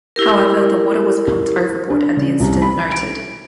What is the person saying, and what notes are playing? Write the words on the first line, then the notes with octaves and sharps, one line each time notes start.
However, the water was pumped overboard and the incident noted.
E4 G4 A#4
D4
C#3
C2
B5
D7